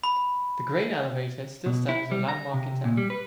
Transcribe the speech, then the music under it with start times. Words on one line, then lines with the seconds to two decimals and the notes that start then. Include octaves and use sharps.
The grain elevators still stand as a landmark in town.
0.04 B5
1.66 B2
1.89 E4
2.11 G3
2.29 A#5
2.54 C3
2.85 A#2
2.97 G3
3.10 B4